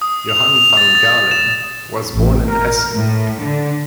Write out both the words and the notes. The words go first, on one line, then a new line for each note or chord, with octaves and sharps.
Johan van Galen was born in Essen.
D#6
F7
F7
A6
A6
E7
A1
A#4
A2
D3